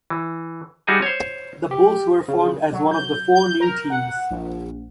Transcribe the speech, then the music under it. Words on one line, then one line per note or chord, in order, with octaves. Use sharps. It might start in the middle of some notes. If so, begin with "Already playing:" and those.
The Bulls were formed as one of the four new teams.
E3
G3 D#4 F#4 G#4 G#5
C5 C#5
G4
C#3
F#3
G6
G6
A#4
F#5
A#1